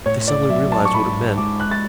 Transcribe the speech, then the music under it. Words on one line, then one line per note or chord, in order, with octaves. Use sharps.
They suddenly realized what it meant.
A2 C#5
D5
F#3 E5
A5
C#6
G#2 B5
G#3 D6
F#6
A6